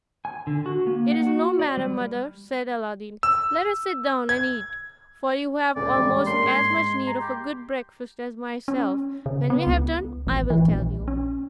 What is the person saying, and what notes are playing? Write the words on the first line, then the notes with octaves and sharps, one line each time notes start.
"It is no matter, mother," said Aladdin, "let us sit down and eat; for you have almost as much need of a good breakfast as myself; when we have done, I will tell you."
G#5
D3
F#4
A#3
F#5
F#4
D5
G3
E6
G#6
D#1 C#2 D5
A1 G3 G#3
A#3 C#4 D4 C6
G#2 G#6
A#5
G4
C#4
C#3
B3
C#2
A1
E3
A#1
C#4